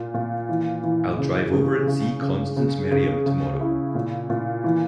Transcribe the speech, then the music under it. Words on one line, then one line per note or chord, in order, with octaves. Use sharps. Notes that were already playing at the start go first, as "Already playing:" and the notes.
I'll drive over and see Constance Merriam to-morrow.
Already playing: A#2
A#2
E3
E3
C#3
C#3
C#3
C#3
C#3
C#3
C#3
E4
A#2
A#2
E3